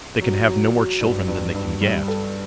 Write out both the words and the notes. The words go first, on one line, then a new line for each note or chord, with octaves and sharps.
They can have no more children than they can get.
F#3
F#3
F#3
G2
G2
G2
G3
A4